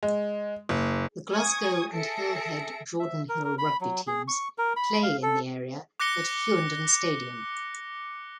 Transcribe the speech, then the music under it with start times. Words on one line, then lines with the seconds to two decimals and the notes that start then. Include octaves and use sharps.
The Glasgow and Hillhead-Jordanhill rugby teams play in the area at "Hughenden Stadium".
0.03 G#3
0.69 F#1
1.30 G#5 C#6 D#6 G#6
1.93 G#4 A4 E5 A#6 C#7 D7
2.99 E5
3.29 A#4
3.44 A#4
3.58 B5
3.81 F#3
4.07 G#4
4.28 C#6
4.58 A#4
4.76 B5
5.03 F5
5.23 A4
6.00 D6 F#6 A#6 C#7 G7